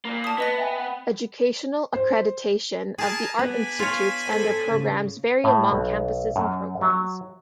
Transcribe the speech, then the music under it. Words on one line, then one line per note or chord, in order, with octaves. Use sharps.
Educational accreditation of The Art Institutes and their programs varies among campuses and programs.
A#2 A#3 B5
A5 D#6
B3 B4 D#5 A#6
E5 G5 G#5
F#5
C5
G#4 A#4 G#5 A5
B3 D4 G#5 B5
F4 C#5
A4 C5
A2 C#3
A2
B1
F#2
F#3